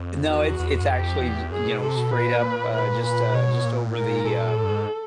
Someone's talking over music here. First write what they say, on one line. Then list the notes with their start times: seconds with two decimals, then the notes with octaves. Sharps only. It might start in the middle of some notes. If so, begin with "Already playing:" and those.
No, it's it's actually, y you know, straight up, uh, just, uh, just over the, uh,
Already playing: F2
0.29 E2 F#4
0.60 E2
0.81 F#2
0.90 F2 G4
1.21 E2
1.51 F#2 G#4
1.67 B2
1.82 C3 A4
1.97 B2
2.12 A#2 B4
2.73 B4
3.04 B4
3.34 B2 C#5
3.65 A#2
3.87 A2
3.94 A#2 A#4
4.25 A#2 A4
4.55 A2
4.64 G2
4.71 G#2